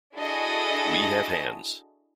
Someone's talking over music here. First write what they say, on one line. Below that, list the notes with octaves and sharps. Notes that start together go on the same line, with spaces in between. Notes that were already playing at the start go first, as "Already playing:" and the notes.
We have hands.
D4 E4 F#4 G#4 A4 D#5